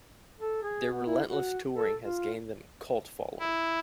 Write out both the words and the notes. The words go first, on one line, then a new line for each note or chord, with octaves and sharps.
Their relentless touring has gained them a cult following.
A4
G#4
B3
E4
F#4
A4
F4
E4